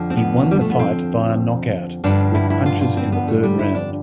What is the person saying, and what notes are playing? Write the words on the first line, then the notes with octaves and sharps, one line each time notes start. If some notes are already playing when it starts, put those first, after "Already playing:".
He won the fight via knockout with punches in the third round.
Already playing: F2 D3 F3
C4
B3
G3
A3
B3
C4
G2 D3 F3 D4
E4
E4
F4
F4
C4
B3
A3
G3
E4
D4